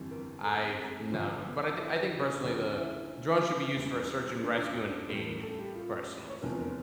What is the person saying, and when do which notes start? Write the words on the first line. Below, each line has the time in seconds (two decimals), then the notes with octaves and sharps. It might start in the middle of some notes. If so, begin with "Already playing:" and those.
I've nev but I think I think personally the drone should be used for a search and rescue and aid, personally.
Already playing: G1 F2 E3 G3
0.11 A#4
0.44 A4
1.10 G1 G2 F3
1.76 E4
2.21 C#4
2.43 D2 C#3 F3 D4
2.77 E4
3.76 E1 E2 E3 G3
4.43 D4
4.58 D4
4.65 C#4
4.87 D4
5.09 A1 A2 G3 A4
5.26 A#4
5.43 A4
5.59 G4
5.76 F4
6.30 C#5
6.42 F1 E2 D3 F3 A#4
6.59 A#4